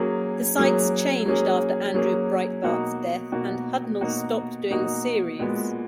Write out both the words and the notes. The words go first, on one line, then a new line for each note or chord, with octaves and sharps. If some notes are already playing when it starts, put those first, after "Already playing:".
The sites changed after Andrew Breitbart's death and Hudnall stopped doing the series.
Already playing: F#3 A#3 C#4 G#4
F#3 A#3 C#4 G#4
F#3 A#3 C#4 G#4
F#3 A#3 C#4 G#4
B2 A#3 D#4 F#4
B2 A#3 D#4 F#4
B2 A#3 D#4 F#4
B2 A#3 D#4 F#4
A#2 G#3 B3 F#4